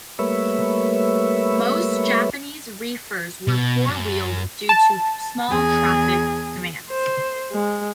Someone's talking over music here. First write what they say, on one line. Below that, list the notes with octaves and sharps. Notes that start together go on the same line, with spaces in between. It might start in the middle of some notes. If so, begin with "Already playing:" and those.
Most Japanese reefers were four-wheeled due to small traffic demands.
G3 A3 A#3 B4 C#5 E5
B2
F#2
A5
E2 G#4
C5
G#3